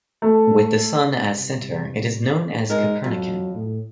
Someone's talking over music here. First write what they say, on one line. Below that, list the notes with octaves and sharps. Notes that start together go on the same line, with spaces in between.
With the sun as center, it is known as "Copernican".
A3
C2
G#2 G#3 A#4
F2 F#3
A2